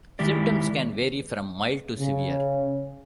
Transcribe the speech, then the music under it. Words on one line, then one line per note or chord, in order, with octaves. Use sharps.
Symptoms can vary from mild to severe.
D#3 G#3 E4 G4 D5
C#3